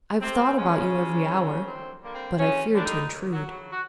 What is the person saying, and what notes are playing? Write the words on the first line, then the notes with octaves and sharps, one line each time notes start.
"I have thought about you every hour--but I feared to intrude."
C3 C4
C#3 F3 G#3 B3 C#4
C3
F3 G#3 B3
D2 C4
D3 G3 A#3
C4
D2 C#3 C#4
D3 G3 A#3 D4
D#3 D#4
D#2
F#3 F#4
C#3 F#3
F#4